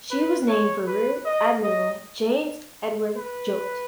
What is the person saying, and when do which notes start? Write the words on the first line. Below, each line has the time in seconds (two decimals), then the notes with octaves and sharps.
She was named for Rear admiral James Edward Jouett.
0.11 B4
0.49 C#5
0.87 B4
1.26 D#5
1.64 D#5
3.17 B4